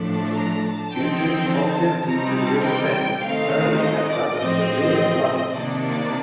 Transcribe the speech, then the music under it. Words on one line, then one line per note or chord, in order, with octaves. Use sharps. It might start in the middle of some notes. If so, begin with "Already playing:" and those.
Due to its proximity to the River Thames, Purley has suffered severe flooding.
Already playing: A2 F3 A3 D4
A5
A#5
A5
D3 F3 C4 D#4 G5
A5
C3 G3 C4 D#4 A#5
A5
G5
D#3 A3 C4 D#4 F5
D#5
D5
A2 F3 C4 D#5
C3 D#3 A#3 D4 D5
D5